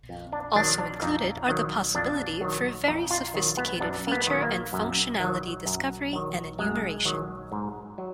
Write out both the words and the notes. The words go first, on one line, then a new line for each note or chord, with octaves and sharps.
Also included are the possibility for very sophisticated feature and functionality discovery and enumeration.
F2
D4
D#3 F#3 D4
D4
F2 D#4
D#3 F#3
F2 D4
D#3 F#3
F2 D#4
F4
D#3 F#3
B3
F#2 D4
A#3
B3
D#3 F#3
A#3
F#2
D#3 F#3
F#2
D#3 F#3
F#2 G#3
D#3 F#3
G#2
F#3